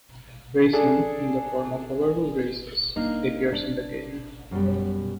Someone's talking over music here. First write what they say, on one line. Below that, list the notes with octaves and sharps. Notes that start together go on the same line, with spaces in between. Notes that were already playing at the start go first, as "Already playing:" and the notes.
Racing, in the form of hoverboard races, appears in the game.
D4 G#4 A4
A#3 D4 D#4
D4
F#2 B2 G3